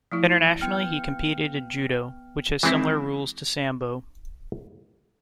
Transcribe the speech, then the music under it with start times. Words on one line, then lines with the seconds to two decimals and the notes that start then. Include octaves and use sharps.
Internationally he competed in judo, which has similar rules to sambo.
0.12 F3 A3 E4
0.61 B3 G5 F6
2.63 E3 G#3 C4 E4